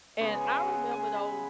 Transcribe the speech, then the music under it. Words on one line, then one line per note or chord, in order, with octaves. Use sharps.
and I remember those
C#3 G#3 B3 C#5
E5
F#5
G#5
B5